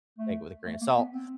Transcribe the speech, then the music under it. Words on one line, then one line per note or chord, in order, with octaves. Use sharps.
take it with a grain of salt.
A3
A3
A#3
B3
C4